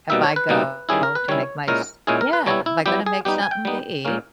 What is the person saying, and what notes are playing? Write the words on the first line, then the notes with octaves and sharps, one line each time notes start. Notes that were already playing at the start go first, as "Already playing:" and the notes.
if I go to make my s Yeah, if I go to make something to eat,
B2 G3 A#3 D#4 E5
C#5
B4
B2 G3 A#3 D#4
D#3 G3 C#4 E4 G#4
A#4
B4
D#3 G3 C#4 E4 C#5
A#2 G#3 C#4 E4 A#4
A#2 G#3 C#4 E4 G#4
A#4
B4
G3 B3 E4 C#5
E4
G3 B3 E4 G4
G#4
G3 B3 D#4 G4
G#5
G5
G3 B3 D#4
A#2 A#3 C#4